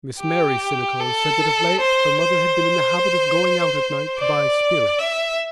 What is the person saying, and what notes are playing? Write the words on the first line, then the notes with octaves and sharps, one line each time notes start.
Miss Mary Sinico said that of late her mother had been in the habit of going out at night to buy spirits.
G4
A4
C5
C5
D5
E5